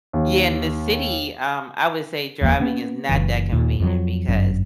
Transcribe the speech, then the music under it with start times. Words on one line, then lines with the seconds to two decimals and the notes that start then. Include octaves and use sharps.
Yeah, in the city, um, I would say driving is not that convenient because
0.13 D#2
2.41 F1 D#2 E3 A#3
2.60 A#3 B3 C#4
3.09 F#1 C#2 E3
3.52 D#2 A#2
3.80 F2 D#3 F#3
4.28 G1 F#2 F#3